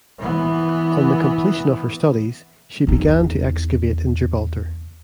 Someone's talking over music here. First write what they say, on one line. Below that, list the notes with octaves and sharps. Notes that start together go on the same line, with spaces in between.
On the completion of her studies, she began to excavate in Gibraltar.
E3 B3
E2 D#4